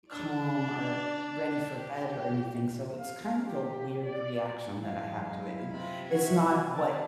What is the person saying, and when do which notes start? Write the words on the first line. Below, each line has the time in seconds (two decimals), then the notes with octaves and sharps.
calm or ready for bed or anything, so, it's kind of a weird reaction that I have to it, and it's not what
0.10 D4 D5
1.78 G4
2.99 F5
3.45 G4
4.06 D5
4.80 F#2 E3 G#3 F5
5.39 E4
5.73 C3 F4 B5
6.07 F#4 E5 F#5 G#6
6.37 C4 D#5
6.72 D5 A5